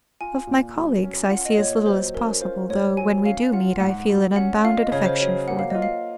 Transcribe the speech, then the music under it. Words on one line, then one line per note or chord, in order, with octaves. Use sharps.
Of my colleagues I see as little as possible, though, when we do meet, I feel an unbounded affection for them.
F4 G#5
A#2
F#3
C#4
F4 F#5
D#5
A#2 C#5
F#3 C5
C#4 A#4
F4 C5
G#2 C#5
F#3 G#5
C#4 F5
F4 F#5
G#2 F#5
F#3
C#4 F#5
F4 F5
D#5
C#3 C#5
C5
F#3 C#5
A#3 F#5
F5
F4 D#5
F5